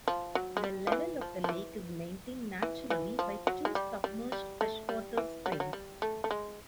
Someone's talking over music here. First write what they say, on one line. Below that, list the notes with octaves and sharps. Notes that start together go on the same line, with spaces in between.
The level of the lake is maintained naturally by two submerged freshwater springs.
F3
F#3
G#3
G3
F3
E3
F3
F3
E3
E3
E3
F3
F#3
G#3
G3
G3
G3
A3
G3
E3
F#3
G3
F#3
G3
A3
A3
G#3